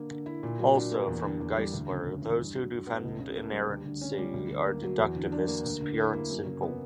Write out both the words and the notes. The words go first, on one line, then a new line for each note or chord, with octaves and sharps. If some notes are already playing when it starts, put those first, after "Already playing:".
Also, from Geisler:Those who defend inerrancy are deductivists pure and simple.
Already playing: D3 A#3
D3
E4
A#2
F#3
D4
A#3
E2
D3
E2
G3
D2
C#3
D2
E3
G2
F#3
G2
B3
C#2
C#3
A#3
G3
D2
D3
C#4
G3
D2
D3
A#3
F#3
E2
D3
D4
A#3
D2
D3
E4
A#3
F#2
C#3
B3